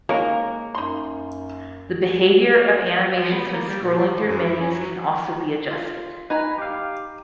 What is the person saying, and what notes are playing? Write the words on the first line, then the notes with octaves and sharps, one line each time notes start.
The behavior of animations when scrolling through menus can also be adjusted.
G#3 A#3 C#4 D#4 A#4
F#2 D#4 C6
F3
B3
A#3
G3
A#2
G3
E3
F#2
E4
C#4
F#3
F4
D#4 B4 G#5 A#5
G4 F5